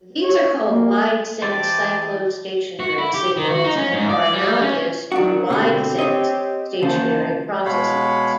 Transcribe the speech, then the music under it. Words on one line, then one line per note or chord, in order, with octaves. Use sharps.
These are called wide-sense cyclostationary signals, and are analogous to wide-sense stationary processes.
C#5
A#3
E3 G4 C5 D5 A5
F#4
E4
G4
D#3
F#4
D#4
C#4
G#2
D5
G3
C#4
D#3 F#3 D4 F#4
B2 D3 C4 G4
C#5 D#5
E2 C#3 A#3 C5 A5
B2 G#3 C#5 F5 F#5 B5